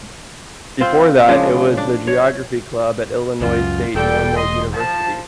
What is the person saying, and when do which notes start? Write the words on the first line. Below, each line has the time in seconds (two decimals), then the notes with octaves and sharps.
Before that it was the Geography Club at Illinois State Normal University.
0.80 C4 F4 C5
1.28 C#3 F3 G#3 D4
1.77 D4
2.07 C#5
3.41 C#2 F#2 F4
3.95 E1 G3 A4 G5
4.36 D#5 C6
4.72 F3 A5